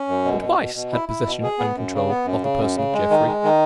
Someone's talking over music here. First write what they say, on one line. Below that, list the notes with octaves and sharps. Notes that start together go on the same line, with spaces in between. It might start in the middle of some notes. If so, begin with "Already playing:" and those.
But Weiss had possession and control of the person of Jeffrey.
Already playing: C#4
F#2
B2
B2
B2
B2
E4
E4
B2
G#4
B3
F#2
C#3
B3
F#2
C#3
F#2
C#3
G#3
D#3
G#3
D#3